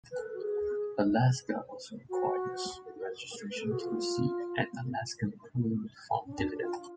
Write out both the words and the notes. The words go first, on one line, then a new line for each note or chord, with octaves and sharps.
Alaska also requires registration to receive an Alaska Permanent Fund dividend.
B4
A4
F#4
G#4
F#4
B4
A4
G#4
F#4
F4
C#4
D4
F4